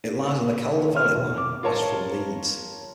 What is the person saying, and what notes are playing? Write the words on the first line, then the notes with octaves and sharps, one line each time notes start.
It lies on the Calder Valley line west from Leeds.
D#3
F6
B2
D6
F4 A#4 C#5 A5